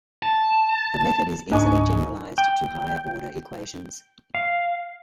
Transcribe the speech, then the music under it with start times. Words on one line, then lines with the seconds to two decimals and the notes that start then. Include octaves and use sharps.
The method is easily generalized to higher order equations.
0.23 A5
1.52 C#2 G#2 D4 D#4 G#5 C#6
2.38 G5
4.35 F5